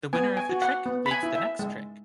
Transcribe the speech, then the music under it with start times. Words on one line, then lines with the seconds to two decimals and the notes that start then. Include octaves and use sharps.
The winner of the trick leads the next trick.
0.13 B3 G#5
0.37 G#5
0.49 F#4
0.62 F#5
0.86 B3
1.06 B5
1.11 G#5
1.23 E4
1.35 E5
1.59 G#3